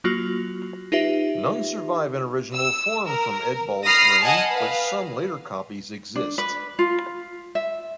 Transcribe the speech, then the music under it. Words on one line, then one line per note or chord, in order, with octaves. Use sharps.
None survive in original form from Eadbald's reign, but some later copies exist.
F#3 A#3 F4 F#4
D#4 F4 G4 B4 E5
E6
A#4
B5 D#6 F6 A#6 C7
D#5 F#5 G#5 A5
B4 F5
D4
B4
F4
E5